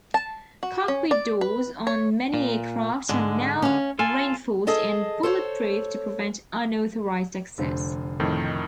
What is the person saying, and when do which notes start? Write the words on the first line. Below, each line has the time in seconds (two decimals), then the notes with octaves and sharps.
Cockpit doors on many aircraft are now reinforced and bulletproof to prevent unauthorized access.
0.14 A5
0.63 F#4
0.88 C#4
1.11 D5
1.41 B4
1.87 C#5
2.34 A#2
3.09 G#2 D3 G#3
3.62 C#4 F5
3.99 F4 A4 G#5
4.67 G#4 A4 D#5 A5
5.23 A4 C5 C#5
7.58 F1 D3 C5
8.20 F2 A2 D#3